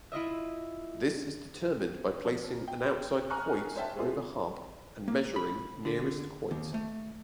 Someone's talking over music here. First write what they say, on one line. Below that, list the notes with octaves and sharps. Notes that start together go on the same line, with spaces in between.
This is determined by placing an outside Quoit over Hub and measuring nearest Quoit.
E4 F4 D#5 E5
F3
G5
G#5 A#5 C#6 D#6 F6 F#6
C5 C#5 E5 G5 A5
G#3 B3 C4 E4 F4 G#4
A#3
B5
D3
D#2
A3